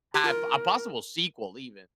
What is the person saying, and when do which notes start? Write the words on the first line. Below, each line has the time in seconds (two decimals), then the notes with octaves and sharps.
had a possible sequel even,
0.14 G4
0.24 F4 A#4